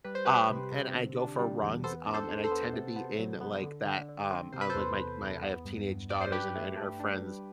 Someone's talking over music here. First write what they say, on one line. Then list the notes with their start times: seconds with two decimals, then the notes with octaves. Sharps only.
Um, and I go for runs, um, and I tend to be in like that, um I like my my I have teenage daughters and and her friends,
0.04 G3 B4
0.15 C5
0.25 G3 G4 B4
0.50 C3
0.72 C3
0.94 D3
1.17 D4
1.39 G3
1.62 E2
1.84 B3 A4 C5
2.07 D4
2.14 A4 C5
2.29 D4
2.44 A4 C5
2.51 B3
2.73 C3
2.96 B3
3.19 F#3
3.41 B3
3.63 D3
3.85 D3
4.09 D3
4.31 C4
4.52 C3 C5
4.61 B4
4.70 A4 C5
4.75 E2
4.98 E2
5.21 E2
5.42 B3
5.65 G2
5.88 G2
6.10 G2 D5
6.21 C5
6.32 D4 G4 B4
6.55 A3
6.77 A3
7.00 D4
7.22 G3